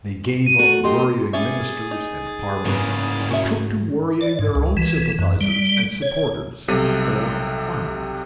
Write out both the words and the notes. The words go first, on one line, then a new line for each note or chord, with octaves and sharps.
They gave up worrying Ministers and Parliament and took to worrying their own sympathisers and supporters--for funds.
D#7
A3 F#4
A3 G4 D#5 C6
G3 C#4 G#4 E5 A6
D#4
G#2 C#3 E3 A#3 B3
F#4 G#4 E5
D5
G#2
C#2
E3
F#2
G3
C#5
B1 C3 G3 A4 D#7